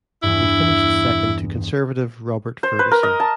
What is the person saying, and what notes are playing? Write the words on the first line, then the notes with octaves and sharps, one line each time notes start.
He finished second to Conservative Robert Ferguson.
E2 G2 E4
C5
B4
A#4
D#5
A5